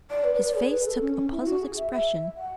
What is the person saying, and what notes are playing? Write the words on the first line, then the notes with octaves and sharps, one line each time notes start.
His face took a puzzled expression.
D5
B4
B4
D5
G#4
B4
A4
C#4
C#4
E4
F#4
G#4
E5
E5
F#5